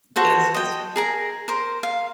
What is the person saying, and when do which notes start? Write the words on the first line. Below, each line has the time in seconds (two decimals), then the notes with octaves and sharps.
Yes, just
0.16 F#4 A4 C5 F#5
0.54 D#5 G5
0.96 G#4 A#4 A#5
1.48 A#4 C5
1.83 F5